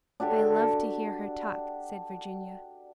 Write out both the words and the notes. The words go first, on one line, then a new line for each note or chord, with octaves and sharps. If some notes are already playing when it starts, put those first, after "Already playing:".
"I love to hear her talk," said Virginia.
D4 F#4 G4 A4